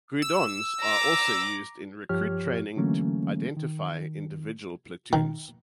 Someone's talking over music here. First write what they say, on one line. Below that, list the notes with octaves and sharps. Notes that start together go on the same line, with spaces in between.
Guidons are also used in recruit training to identify individual platoons.
E6
A#5 D6
G2 F3 G4 C#5 F6
D3 E3 F#3 A3 A#3 C#4
D#3
D#3